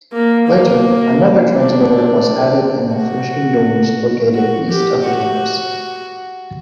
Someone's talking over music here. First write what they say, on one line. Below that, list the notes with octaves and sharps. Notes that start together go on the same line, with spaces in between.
Later, another transmitter was added in the freshman dorms located east of the campus.
A#3
A#3
D4
F#4
F#4
G4
F#4